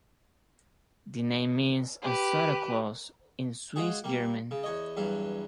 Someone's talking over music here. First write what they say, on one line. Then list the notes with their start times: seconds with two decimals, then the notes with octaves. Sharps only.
The name means "Santa Claus" in Swiss German.
2.03 G4 B4
3.76 G#3 F4 F#4 G#4
4.04 G3 A#3
4.51 C#3
4.63 E2 C#5 D#5
4.97 E2 G2 F#3 F5